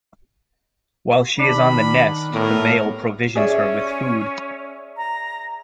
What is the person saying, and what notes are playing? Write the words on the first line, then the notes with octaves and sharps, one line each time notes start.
While she is on the nest, the male provisions her with food.
D#3 D4 B5
A2 B3 A#4
C#4 G#4 D5 E5
A#5